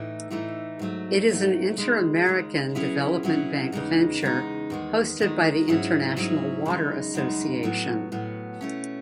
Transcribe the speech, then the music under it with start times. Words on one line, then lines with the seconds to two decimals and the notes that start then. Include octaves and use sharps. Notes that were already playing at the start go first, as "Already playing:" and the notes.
It is an Inter-American Development Bank venture, hosted by the International Water Association.
Already playing: A2 E3 A3 D#4
0.30 A2 E3 A3 D#4
0.79 G#2 F#3 A3
1.28 G#2 F#3 A3
1.77 D#2 C#3 G#3
2.26 D#2 C#3 G#3
2.75 B2 F#3 C#4 E4 G#4
3.23 B2 F#3 C#4 E4 G#4
3.72 E2 C#3 G#3 D#4
4.21 E2 C#3 G#3 D#4
4.70 E2 D#3 G#3
5.19 E2 D#3 G#3
5.68 G#2 F#3 C#4 E4 G#4
6.17 G#2 F#3 C#4 E4 G#4
6.66 F#2 C#3 G#3 D#4
7.14 F#2 C#3 G#3 D#4
7.63 A2 F#3 B3
8.12 A2 F#3 B3
8.61 B2 A3 C#4